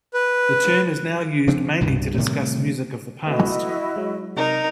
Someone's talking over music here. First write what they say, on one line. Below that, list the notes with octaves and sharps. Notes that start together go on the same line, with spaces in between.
The term is now used mainly to discuss music of the past.
B4
C#3 F3 C4 D4
C2 G2 B2
A2 C3 D#3 G3
A3 B3 E4 F#4 D#5
F#3 G#3
C3 D#4 A#4